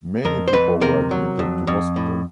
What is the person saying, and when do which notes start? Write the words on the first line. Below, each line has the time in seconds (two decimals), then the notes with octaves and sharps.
Many people were admitted to hospital.
0.25 F2 A#4
0.48 C5
0.53 F2 B4
0.81 C3 A#4
1.11 F#3
1.39 F2
1.67 F2
1.96 A2